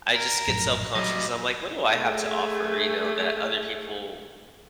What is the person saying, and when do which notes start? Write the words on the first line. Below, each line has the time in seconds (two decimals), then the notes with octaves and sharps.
I just get self-conscious 'cause I'm like, "What do I have to offer, you know, that other people
0.16 A#4
0.47 A#1 F#2 A2
0.95 F#3 G3 D#5
1.85 A3 G#4